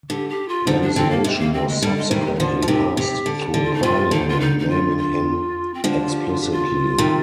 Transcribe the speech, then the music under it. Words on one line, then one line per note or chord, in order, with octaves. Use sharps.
Legislation was subsequently passed through parliament naming him explicitly.
D3 G4
G4
F4
D3 F3 D#4
D4
D3 C4
A#3
C3 G#3
C4
A#3
C4
G#3
D3 G3
G#3
C3 D#3 G3
A#3
G#3
D#4
D3 F3 F4
F3
C3 D#3 G4
C3 G4
D3
D3 G4
F4
D#4
C3 F4
D3 D#4
F4
D#4
D#4
F4
F4
C4
D3 F3 D4
F4
G4
F4
G4
F4
C3 D#3